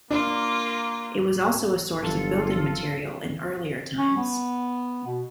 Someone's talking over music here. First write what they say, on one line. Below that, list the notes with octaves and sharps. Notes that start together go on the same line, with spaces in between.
It was also a source of building material in earlier times.
A#3 D4 F4
G1 F#3 F4 A4
C#4
B3
B2